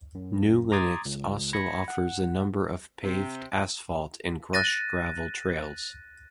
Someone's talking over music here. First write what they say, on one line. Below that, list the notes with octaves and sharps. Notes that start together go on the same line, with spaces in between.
New Lenox also offers a number of paved asphalt and crushed gravel trails.
F#2
A#5 C6 D6 D#6 G#6 A6
C#2
B5 G#6 A#6 C#7
F#5
C3
F#6 A6 A#6 D#7